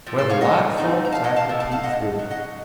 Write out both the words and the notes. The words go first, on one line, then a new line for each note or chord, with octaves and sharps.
Where the log forked I could peep through.
A2 F3
A4 C5
C#5 F5
D#5 F#5
A2 A3 C4 D#4
A#5
F5 A5
D#5 F#5
F5 A5
A2 A3
F5 A5
F5 A5
D#5 F#5
C#3 F#3
D#5 F#5